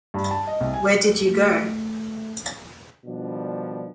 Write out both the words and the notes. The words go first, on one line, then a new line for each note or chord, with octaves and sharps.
Where Did You Go?
G2
A5
D#5
C2
G#5
A3
B2 D#3 F3 G3 D4